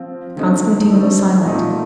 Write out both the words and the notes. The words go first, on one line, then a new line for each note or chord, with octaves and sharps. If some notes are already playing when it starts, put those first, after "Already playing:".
Konstantin was silent.
Already playing: F3 C4 F4
D3 A3 C4 D#4 A4
D3 A3 C4 D#4 A4
A#2 A3 D#4